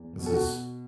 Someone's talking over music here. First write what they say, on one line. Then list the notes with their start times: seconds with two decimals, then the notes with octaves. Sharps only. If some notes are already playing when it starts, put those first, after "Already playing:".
This is
Already playing: E2
0.18 B2
0.26 A4
0.33 F#4
0.48 B2